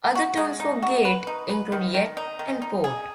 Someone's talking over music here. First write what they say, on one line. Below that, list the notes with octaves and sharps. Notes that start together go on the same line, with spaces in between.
Other terms for gate include yett and port.
F#4
G#3
D#4
F#4
B4
D#4
B4
D#3
D#3
D#4
D#3
D#4
G#4